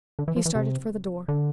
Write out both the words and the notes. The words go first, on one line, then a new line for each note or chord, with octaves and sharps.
He started for the door.
D3
E3
F3
E3
C3
D3